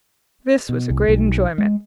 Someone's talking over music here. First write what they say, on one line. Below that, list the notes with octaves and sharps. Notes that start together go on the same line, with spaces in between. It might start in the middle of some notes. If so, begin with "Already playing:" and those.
This was a great enjoyment.
B2
C2
B1
G#3